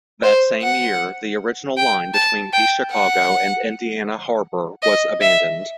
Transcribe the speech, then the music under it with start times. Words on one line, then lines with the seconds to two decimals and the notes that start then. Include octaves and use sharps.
That same year, the original line between East Chicago and Indiana Harbor was abandoned.
0.23 C5
0.62 F#5
1.77 G5
2.14 A5
2.53 G5
2.92 F#5
4.83 D#5
5.21 E5